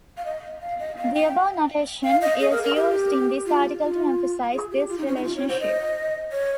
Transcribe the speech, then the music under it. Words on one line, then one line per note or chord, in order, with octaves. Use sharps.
The above notation is used in this article to emphasize this relationship.
F5
D#5
F5
D#5
F5
G5
F5
D#5
G#4
A#4
A#4
G4
F4
F4
G#4
G4
F4
D#4
C#4
D#4
F4
C#5
C5
D#5
C#5